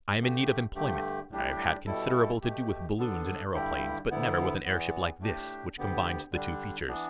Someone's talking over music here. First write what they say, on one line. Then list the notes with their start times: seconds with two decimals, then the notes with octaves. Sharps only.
I am in need of employment, and I have had considerable to do with balloons and aeroplanes, but never with an airship like this, which combines the two features.
0.19 D3 A3 G4
0.75 G2 D3 A3 G4
1.31 A2 G3 D4 G4
1.86 B2 G3 E4 A4
2.42 B2 A3 G4
2.98 D3 B3 D4 A4
3.53 G2 D3 G3 E4 G4
4.10 D2 D3 B3 E4
4.64 E2 E3 B3
5.20 A2 A3 D4 G4
5.77 D2 D3 B3 G4
6.32 D3 G3 D4
6.88 E3 B3 D4